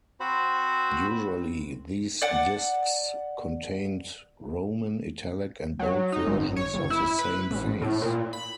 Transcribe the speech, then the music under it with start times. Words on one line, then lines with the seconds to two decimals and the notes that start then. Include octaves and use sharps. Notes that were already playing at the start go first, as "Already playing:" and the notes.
Usually these disks contained roman, italic and bold versions of the same face.
0.20 C4 F#4 C5 B5
2.22 D5 F#5 A5
5.79 F#3
6.12 D#4
6.26 G#1
6.56 C#5
6.74 G1
6.90 E4
7.19 B4
7.51 A1
7.81 A2
8.02 A#2
8.33 B5